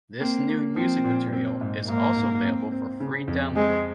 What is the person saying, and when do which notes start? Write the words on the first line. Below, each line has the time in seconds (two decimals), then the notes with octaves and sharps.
This new music material is also available for free download.
0.20 A#3 C4
0.49 A#3
0.76 F3 C4
1.04 A#2
1.33 C4
1.61 G#2
1.88 G#2 A#3
2.16 G#2
2.45 C4
2.72 C4
3.00 C#3
3.28 F2
3.56 G#3 C4